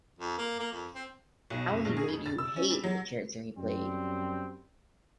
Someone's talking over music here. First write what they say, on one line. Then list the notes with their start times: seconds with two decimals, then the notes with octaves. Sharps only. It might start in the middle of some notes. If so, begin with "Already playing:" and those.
How he made you hate the character he played!
0.19 F2
0.38 A#3
0.59 A#3
0.72 F2
0.95 C4
1.50 B1
1.70 F#1
1.85 A#1
1.97 G#4
2.08 F2
2.26 A6
2.38 E6
2.56 C#4
2.70 G3
2.84 F#3
3.57 F#2 G3 C4